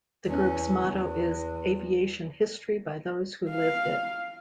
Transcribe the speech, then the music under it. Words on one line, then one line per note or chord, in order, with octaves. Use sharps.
The group's motto is "Aviation History by those Who Lived It".
E2 C#4
E2
F5